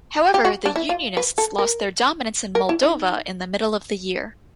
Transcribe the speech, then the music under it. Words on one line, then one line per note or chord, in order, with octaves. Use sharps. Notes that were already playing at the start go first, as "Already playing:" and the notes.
However, the "unionists" lost their dominance in Moldova in the middle of the year.
G4
F#4
D4
E4
F4
B4
A4
A#4
A#4
E4
D#4